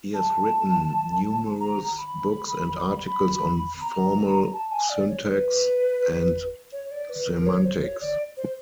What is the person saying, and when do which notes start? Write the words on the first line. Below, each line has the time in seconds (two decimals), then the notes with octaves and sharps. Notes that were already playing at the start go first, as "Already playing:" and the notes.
He has written numerous books and articles on formal syntax and semantics.
0.14 A5
1.60 A#5
1.98 B5
3.07 B5
3.81 A#5
4.53 A5
4.72 G#5
4.90 D5
5.08 C#5
5.26 B4
6.72 C#5
6.91 D5
7.10 B4
7.27 A#4
7.46 C#5
7.64 C5
7.83 C#5
8.01 D5
8.37 C5